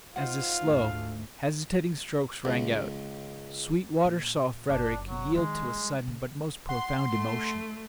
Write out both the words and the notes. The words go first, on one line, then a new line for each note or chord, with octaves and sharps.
As the slow, hesitating strokes rang out, Sweetwater saw Frederick yield to a sudden but most profound emotion.
D#4 F4 C5 F5 F#5
D2 G#2 A3
C#2
A#2
F#1 D4
F#3
D#3 F3 G#3
G3
C#3
F#5 C6
A3